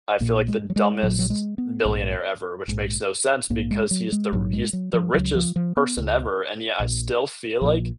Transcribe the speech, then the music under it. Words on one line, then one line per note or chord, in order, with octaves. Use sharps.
I feel, like, the dumbest billionaire ever. Which makes no sense because he is the r he is the richest person ever, and yeah, I still feel, like,
A#1 A#2 A#3
G#3
F#3
G#3
A#1 A#2 F#3
F#3
G#3
B3
A#1 G#2
A#1 G#2
A#1 G#2 A#3
G#3
F#3
G#3
A#1 G#2 F#3
G#3
F#3
F3
C#2 C#3 F#3
F3
F3
B3
C#2 C#3
A#1 A#2
A#1 A#2 F3